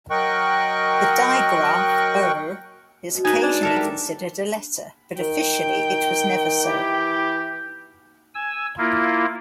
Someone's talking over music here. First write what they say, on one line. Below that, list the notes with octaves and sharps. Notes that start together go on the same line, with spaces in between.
The digraph "rr" is occasionally considered a letter, but officially it was never so.
F#3 A#4 D#5 G5 C#6 F#6
F#2 B2
G#2 D#4 B4 G#5
D4
A4 A#4 E5
G3
D#3 G5
E3 E4 G4
G#5 E6
A#3 E4 F4